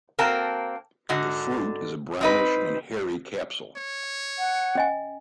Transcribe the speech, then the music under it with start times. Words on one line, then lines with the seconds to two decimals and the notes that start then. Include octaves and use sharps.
The fruit is a brownish and hairy capsule.
0.19 A#3 C4 F#4 A#4 A5
1.09 G#2 D3 F#4
2.21 C4 D#4 B4
3.77 C#5
4.39 F#5
4.75 C#4 D#5 G#5